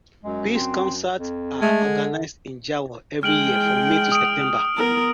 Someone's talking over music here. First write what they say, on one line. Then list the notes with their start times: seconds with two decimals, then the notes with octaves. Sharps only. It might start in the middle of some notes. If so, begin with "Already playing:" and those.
Peace Concerts are organised in Jawor every year from May to September.
0.24 F#2 G#3
0.52 C4
1.18 F2
1.61 G#3 A3
1.84 D3
3.23 G#3 G5 F6 D7 F#7
4.12 D#6 D7
4.76 B3 A#4